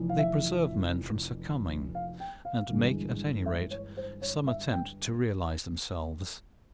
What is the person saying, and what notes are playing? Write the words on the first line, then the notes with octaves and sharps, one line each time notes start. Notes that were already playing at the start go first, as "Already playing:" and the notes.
They preserve men from succumbing, and make at any rate some attempt to realize themselves.
Already playing: F1 F2 E3
F5
E5
F5
G5
F5
G1 G2 E3 G#3
E5
C#5
C5
C#5
E5
G5